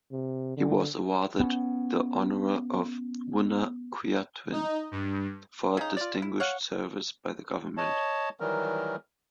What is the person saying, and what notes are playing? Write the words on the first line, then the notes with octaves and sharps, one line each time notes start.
He was awarded the honour of "Wunna Kyawhtin" for distinguished service by the government.
C3
D3
B3 C#4
D#4
G2
C#3 D#4
F4 D5
E4
C#5 F5 F#5
C#5 D#5 A5
D#3 E3 F#3 G3 A#4